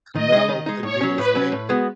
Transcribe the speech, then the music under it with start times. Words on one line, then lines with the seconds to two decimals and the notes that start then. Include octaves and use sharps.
Canelo couldn't do his thing.
0.14 D#3 D#5
0.32 G#3 D#4
0.49 D#3
0.66 G#3 D#4
0.83 A2 C#5
1.01 F#3 C#4
1.18 A2 B4
1.35 F#3 C#4
1.52 A2
1.69 G#3 B3 F#4